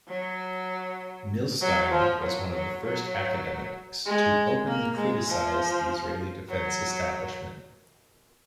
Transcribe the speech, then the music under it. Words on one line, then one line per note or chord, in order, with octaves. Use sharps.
Milstein was one of the first academics to openly criticize the Israeli defense establishment.
F#3
F#3
F3
F#3
F#3
F#3
G#3
A#3
G#3
F3
F#3